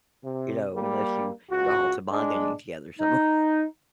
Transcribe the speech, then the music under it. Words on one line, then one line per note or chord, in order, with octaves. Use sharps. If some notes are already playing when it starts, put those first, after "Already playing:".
you know, unless you you're all tobogganing together somewhere or something
C3
G3 A#3
C#2 F#4
G#3 D4
D#4